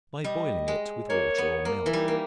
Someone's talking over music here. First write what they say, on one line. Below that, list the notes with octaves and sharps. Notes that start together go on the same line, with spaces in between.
By boiling it with water or milk.
G3 D#5
G#3
A#3 C#5
B3
A#3
E3
G3 D#4
A#3